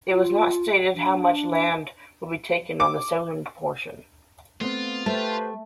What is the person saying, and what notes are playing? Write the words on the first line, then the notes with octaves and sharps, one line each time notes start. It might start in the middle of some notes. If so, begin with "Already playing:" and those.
It was not stated how much land would be taken on the southern portion.
F4
D4
D6
A3 B3 C4 F4
A3 G4 B4 C5 A5